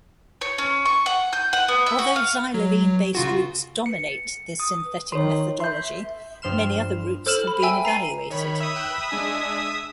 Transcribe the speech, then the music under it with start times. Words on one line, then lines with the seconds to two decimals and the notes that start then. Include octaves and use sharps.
Although xylylene-based routes dominate the synthetic methodology, many other routes have been evaluated.
0.41 C#5
0.58 C#4
0.86 C#6
1.06 F#5
1.33 G6
1.53 F#5
1.68 B3
1.86 E5
1.99 F#4
2.16 F5
2.54 F#3
3.15 C#3 F4 F#4
3.86 C#7
4.60 D#6
5.12 D#3 C#5 C6
5.60 E5 C6 G6
6.42 G2 F3 C6 F6 E7
7.26 A4 C5 E6 F6 E7 F#7
7.47 B5
7.63 E5 G5 G#5 E6
7.85 A#5 C7 D#7
8.30 D#3 C#5 B5
8.60 E5 D#6
8.74 G5 F#6 E7
8.92 B5 E6
9.11 G#3 D4 G#5